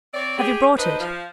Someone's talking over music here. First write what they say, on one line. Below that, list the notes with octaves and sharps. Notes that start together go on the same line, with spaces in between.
"Have you brought it?"
C4 C#5 D5
G4 G#4
D4 D#4 B4 C5 D#5
F3